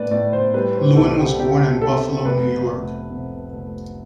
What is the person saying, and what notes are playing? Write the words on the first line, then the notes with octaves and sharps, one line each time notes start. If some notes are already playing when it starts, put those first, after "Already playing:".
Lewin was born in Buffalo, New York.
Already playing: A2 B4 D5
A2 D5
C5
G3 B4
C5
C2 A4
G4
C3 G4
C3 A4
F1 B4
F1
C3
F1